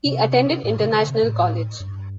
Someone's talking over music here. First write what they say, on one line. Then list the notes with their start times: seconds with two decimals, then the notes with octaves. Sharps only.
He attended International College.
0.05 C3
0.64 A2
0.79 C3
0.93 D3
1.07 C3
1.23 A2
1.80 G2